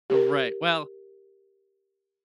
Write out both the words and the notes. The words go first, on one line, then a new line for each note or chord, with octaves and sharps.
Right, well
G4 A#4